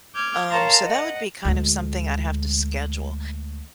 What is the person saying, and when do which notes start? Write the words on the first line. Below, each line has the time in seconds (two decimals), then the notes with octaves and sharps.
um, so that would be kind of something I'd have to schedule,
0.14 D6 F6 G6 G#6
0.50 A#4 C#5 F5 A5 A#5 C6
0.81 D#5 F#5
1.45 D2 G#3